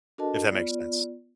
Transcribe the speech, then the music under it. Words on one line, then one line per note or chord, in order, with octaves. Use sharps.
if that makes sense.
D4 F#4 A4 A#4 D#5 A5
B3 F4 D5